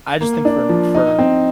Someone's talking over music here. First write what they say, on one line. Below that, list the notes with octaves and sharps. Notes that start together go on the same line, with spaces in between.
I just think for for
A#3
D4
F3
D#4
C4